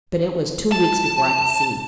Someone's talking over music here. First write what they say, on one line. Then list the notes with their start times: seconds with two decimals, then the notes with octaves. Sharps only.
But it was two weeks before I could see.
0.72 A5